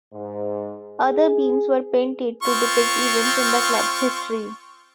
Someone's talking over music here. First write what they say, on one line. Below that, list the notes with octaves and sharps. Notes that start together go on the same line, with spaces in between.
Other beams were painted to depict events in the club's history.
G#2
G#4
C4 F4 C#6